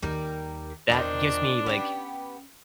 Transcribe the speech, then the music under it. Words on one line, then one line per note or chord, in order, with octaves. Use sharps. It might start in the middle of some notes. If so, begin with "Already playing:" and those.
that gives me, like,
D#2 G3 D#4 A#4
E2 A#2 D#3 C4 D4
B3 C#4 G4